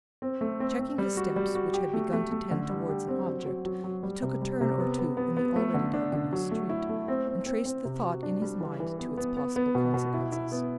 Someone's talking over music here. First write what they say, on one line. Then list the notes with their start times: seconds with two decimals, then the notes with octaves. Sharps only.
Checking his steps which had begun to tend towards an object, he took a turn or two in the already darkening street, and traced the thought in his mind to its possible consequences.
0.22 C4
0.41 A3
0.60 C4
0.79 C4
0.98 G3
1.17 F#4
1.36 G3
1.55 F#4
1.74 G4
1.93 A3
2.13 A3
2.32 A3
2.51 D3
2.70 G3
2.89 G4
3.08 C4
3.27 F#3
3.46 F#3
3.66 F#3
3.84 F#3
4.03 G3
4.22 C3
4.41 G3
4.61 C3
4.80 B3
4.98 B3
5.17 B3
5.37 B3
5.56 A3
5.74 D3
5.94 D4
6.12 D3
6.33 F#3
6.51 A3
6.69 E4
6.89 A3
7.08 C4
7.27 C4
7.46 C4
7.66 C4
7.85 C3
8.03 F#4
8.23 D4
8.42 G3
8.61 E3
8.80 E3
8.99 B3
9.17 B3
9.37 B3
9.56 B3
9.75 B2
9.94 B2
10.14 E4
10.32 E4
10.52 B3